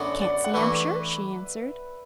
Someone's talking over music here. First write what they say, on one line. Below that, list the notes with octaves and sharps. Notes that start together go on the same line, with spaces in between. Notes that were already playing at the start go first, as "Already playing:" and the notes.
"Can't say, I'm sure," she answered.
Already playing: F#2 D3 B3 F#4 D5 F#5
D5
F#5
E3 A3 D4 F#4 B4 E5